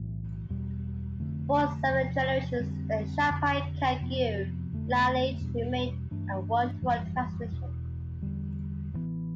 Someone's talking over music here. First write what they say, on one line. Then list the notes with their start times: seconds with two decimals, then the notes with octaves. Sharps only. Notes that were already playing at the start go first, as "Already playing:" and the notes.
For seven generations, the Shangpa Kagyu lineage remained a one-to-one transmission.
Already playing: B1 A2 E3
0.49 E1 E2 B2 G3
1.19 F1 F2 D3 A3
1.90 E2 C3 F3
2.60 F2 D3 G3 C4
3.30 F1 F2 D3
4.01 F2 C3 F3 B3
4.71 F1 F2 D3 A3
5.41 E2 B2 G3 D4
6.11 G2 E3 A3 D4
6.81 G1 F2 E3 G3
7.52 E1 E2 B2
8.22 E2 D3 G3
8.92 A1 G2 E3 B3